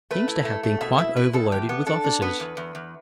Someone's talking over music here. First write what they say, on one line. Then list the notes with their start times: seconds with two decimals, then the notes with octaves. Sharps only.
He seems to have been quite overloaded with offices.
0.11 A3 B4
0.28 E4
0.45 A3
0.63 A3
0.81 B2 E5
0.98 E4 E5
1.16 E4 B4
1.33 B2 A4
1.52 E2 G4
1.69 B3
1.87 D4 A4
2.04 D4
2.22 B3 B4
2.40 E2
2.57 E2
2.75 E2